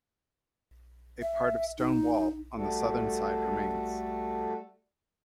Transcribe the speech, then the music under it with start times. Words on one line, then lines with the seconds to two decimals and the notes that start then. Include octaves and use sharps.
A part of stone wall on the Southern side remains.
1.22 E5
1.79 D#4
2.57 G3 A3 F#4 A4